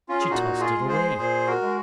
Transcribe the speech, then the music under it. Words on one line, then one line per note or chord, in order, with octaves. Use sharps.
She tossed it away.
C#4 F4
G#4
A#2 D#4 F#4
F4 G#4
G#3
G#4 C5
A#2 G#4 C5
F#4 A#4
G#3